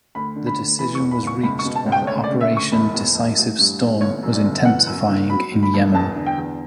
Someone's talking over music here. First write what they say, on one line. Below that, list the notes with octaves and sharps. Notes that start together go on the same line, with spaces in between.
The decision was reached while Operation Decisive Storm was intensifying in Yemen.
D2 B5
D3
B5
D2
E3 B5
C#6
E2
B5
F#1
C#6
C#2 B5
C#6
B2
A5
C#2
G5
D2 C#5
D5
C#3
E5
D2
C#6
E1 B5
E2
E1
A1
G2
A1
G1 C#5
F#2
D5
G1
E3 F#5
F#2
F#1
F#3 B5
D2
B5
E1
E2 A5
D3
G5
E2